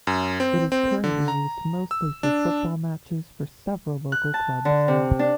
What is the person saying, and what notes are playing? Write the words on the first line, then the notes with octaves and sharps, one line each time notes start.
It is currently used mostly for football matches for several local clubs.
F#2
C4
C4
D3
A#5
E6
D4
F#6
A5
D3
C3
D4